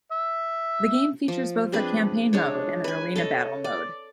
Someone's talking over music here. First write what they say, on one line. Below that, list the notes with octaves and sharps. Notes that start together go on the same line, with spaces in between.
The game features both a "campaign mode" and an "arena battle" mode.
E5
F3
C4 D4 G#4 B4
G#3 D4 C#5
B4 G#5
A4 C#5 D#5
D5